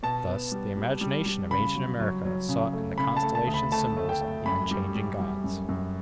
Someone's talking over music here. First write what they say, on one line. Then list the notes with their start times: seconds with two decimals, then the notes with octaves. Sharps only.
Thus the imagination of ancient America sought in the constellations symbols of the unchanging gods.
0.03 B2 A5
0.28 B3
0.52 G3
0.77 G3
1.01 G3
1.26 G3
1.51 C#3 B5
1.75 F#3
2.00 F#3
2.25 F#3
2.49 C#3
2.73 A3
2.98 C#3 B5
3.17 A5
3.23 A3
3.35 A5
3.47 D2
3.54 B5
3.72 A3 A5
3.97 A3
4.09 G5
4.21 A3
4.46 F#2 B5
4.71 G3
4.95 G3
5.19 G3
5.44 F#2
5.69 F#2